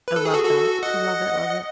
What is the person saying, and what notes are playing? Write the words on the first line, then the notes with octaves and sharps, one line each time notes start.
I love that, love it, love it.
B4
A4
G#4
F#4 A4
F#4 A4
D#5 F#5
D#5